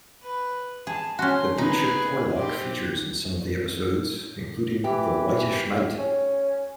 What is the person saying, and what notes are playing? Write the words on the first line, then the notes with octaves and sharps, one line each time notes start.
The beach at Porlock features in some of the episodes including The Whitish Knight.
B4
G#4 A5
C#4 F#4 C6
D#4 G#4 B4
C4 G4
E3 G4
C#4